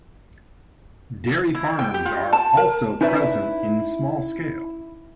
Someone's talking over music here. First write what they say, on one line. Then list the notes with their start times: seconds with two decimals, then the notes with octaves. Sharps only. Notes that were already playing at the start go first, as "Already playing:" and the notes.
Dairy farms are also present in small scale.
1.55 E4
1.79 G5
1.94 G4
2.06 F4
2.33 A5
2.57 A#4
3.01 C#4 D#4 E4 B4 D5 E5